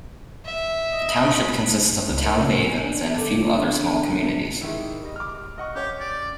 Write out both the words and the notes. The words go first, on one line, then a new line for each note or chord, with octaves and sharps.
The township consists of the town of Athens and a few other small communities.
E5
D#5
B5
G2
C#2
A#4
C#3
A2
G#5
D4
D3
G#2 D#3 E4
G3 D#5
D6 F6
D#5 F#5 C#6
C#4 G4 C#5
D5